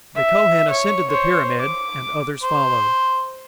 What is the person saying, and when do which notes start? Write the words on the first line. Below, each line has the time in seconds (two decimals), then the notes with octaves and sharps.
The Kohen ascended the pyramid, and others followed.
0.16 E5
0.71 C#5
1.10 C5 C#5
1.60 D6
2.43 C5